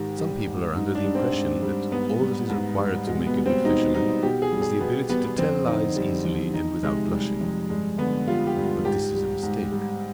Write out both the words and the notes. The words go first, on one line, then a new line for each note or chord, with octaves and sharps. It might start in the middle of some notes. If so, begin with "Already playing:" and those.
Some people are under the impression that all that is required to make a good fisherman is the ability to tell lies easily and without blushing; but this is a mistake.
Already playing: G#2 D#3 G4
G3
G#2
G#2 D#4
D4
G3
C4
G#2
G3
G#2 B3
G3
G#2
G3
B2 G#3
B3
G3
C4
B2 D#4
G3 D#4
B2 G4
G#4
G3
G#4
B2 B3
G3 B3
B3
F2 C4
D3 D#4
G3
F2
F2 D#4
C3 G#3
G3
F2
G2 G#3
D3 B3
G3 F4
G4
G2
F4
G#2 G4
G3
G#2
G3